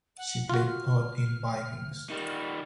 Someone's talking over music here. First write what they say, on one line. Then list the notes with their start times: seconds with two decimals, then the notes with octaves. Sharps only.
She played Aud in "Vikings".
0.18 F#5
0.50 F4 F#4 F6
2.10 D#3 G3